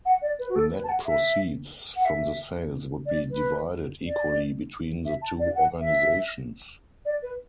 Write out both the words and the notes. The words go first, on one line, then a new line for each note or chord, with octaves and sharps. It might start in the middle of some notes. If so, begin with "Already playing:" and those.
Net proceeds from the sales would be divided equally between the two organizations.
F#5
D5
B4
F#4
A4
B4
A5
F#5
E5
F#5
E5
D5
B4
D5
E5
A5
D5
F#5
E5
D5
B4